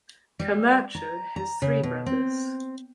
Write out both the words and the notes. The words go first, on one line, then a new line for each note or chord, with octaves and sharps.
Camacho has three brothers.
G3
A#5
A#5
C#3
B2
C4